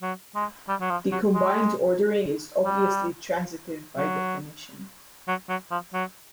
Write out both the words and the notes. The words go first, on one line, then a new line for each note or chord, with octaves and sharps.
The combined ordering is obviously transitive by definition.
F#3
G#3
G3
F#3
F3
F#3
G#3
G3
F#3
F#3
F#3
F3
F#3